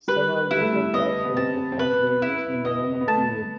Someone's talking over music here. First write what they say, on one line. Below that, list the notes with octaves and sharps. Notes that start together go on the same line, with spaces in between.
Several different types of book-hand were used in the Roman period.
G3 B4
G3 E4
A3
G3
B3 D#5
B3
C4 A5
C4
B3 B4
B3 E4
B3 D#5
B3
A3 A5